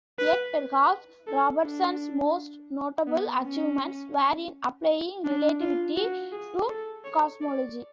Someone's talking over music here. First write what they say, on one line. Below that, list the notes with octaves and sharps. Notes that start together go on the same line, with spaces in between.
Yet perhaps Robertson's most notable achievements were in applying relativity to cosmology.
B4
A4
D4
B3
C#4
D4
F4
F#4
G#4
A4
C#5
D5